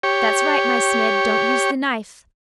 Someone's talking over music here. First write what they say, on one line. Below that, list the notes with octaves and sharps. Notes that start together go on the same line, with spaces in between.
That's right, my Smid, don't use the knife!
G4 C#5